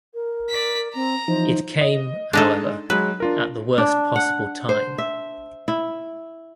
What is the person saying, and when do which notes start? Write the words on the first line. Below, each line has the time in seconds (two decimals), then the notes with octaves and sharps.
It came, however, at the worst possible time.
0.14 A#4
0.50 D5 B6
0.95 C4 A#5
1.28 E3 F3 D#4 C5
1.81 D#5
2.33 G#3 D4 D#4 A4 D#5
2.90 F#3 G#3 B4
3.20 D4 F4 A#4
3.78 D4
4.16 F#5
4.69 C5
4.98 E5
5.68 E4